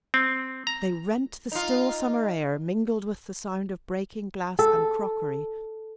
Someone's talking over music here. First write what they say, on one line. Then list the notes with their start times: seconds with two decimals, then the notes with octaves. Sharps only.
They rent the still summer air, mingled with the sound of breaking glass and crockery.
0.14 C4
0.67 A#5
1.52 D#4 F4
4.59 A4